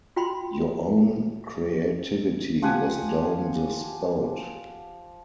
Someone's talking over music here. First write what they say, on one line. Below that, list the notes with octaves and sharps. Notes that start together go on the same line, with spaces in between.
Your own creativity was down the spout.
F4 F#4 G5 B5 C6
F3 G4 F#5 G#5